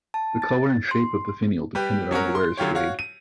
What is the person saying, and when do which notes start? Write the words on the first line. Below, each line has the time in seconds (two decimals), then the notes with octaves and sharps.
The colour and shape of the finial depended on the wearer's grade.
0.14 A5
0.42 A6
0.91 C6
1.75 G3 G4 B4
2.11 F#3 C#4 F#4 A#4
2.35 C6
2.57 D3 F#3 F4 G4 C#5
2.75 F#4 C#5 F5
2.99 D#7